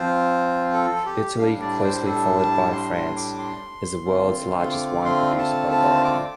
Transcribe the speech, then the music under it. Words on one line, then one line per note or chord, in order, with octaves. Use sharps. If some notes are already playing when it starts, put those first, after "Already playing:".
Italy, closely followed by France, is the world's largest wine producer by volume.
Already playing: F3 C4 F4 C5
A4
G4
A2 G3 D4 F5
D5
C5
A4
A5
C6
C6
D6
C6
D3 A3 C4 F4
C6
D6
C6
A5
A5
D6